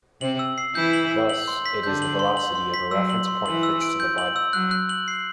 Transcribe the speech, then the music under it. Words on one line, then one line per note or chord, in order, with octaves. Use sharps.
Thus, it is the velocity of a reference point fixed to the body.
C3 C4 F#7
E6
C7
E3 E4 G6
F#7
E6
F#7
C6
B6
D3 D4 G6
F#7
C6
F#7
C6
B6
F#3 E6
F#7
C6
E3 F#7
E6
D7
G6
F#7
E6
F#3 F#6
F#6
F#7
C7